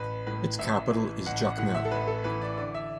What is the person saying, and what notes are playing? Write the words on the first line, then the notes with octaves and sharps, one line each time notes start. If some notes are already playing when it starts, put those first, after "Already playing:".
Its capital is Jacmel.
Already playing: A1 B4
A2 B4
A1 E5
E3
A1 F#5
F#5
A2 F#5
E5
A4
A1 B4
A4
E3 B4
D5
D3 D5
E5